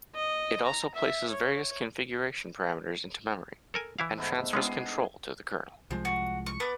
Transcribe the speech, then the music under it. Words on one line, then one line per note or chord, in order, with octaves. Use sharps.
It also places various configuration parameters into memory, and transfers control to the kernel.
D#5
A#5
E5
C#5
A4 A#4 G#5
E3 E4 F5
G#2 A3 B3
G#3 B3 C#4 D4 F4 G#4
C2 F3 G#3 C4
F#4
C#6
B3 D5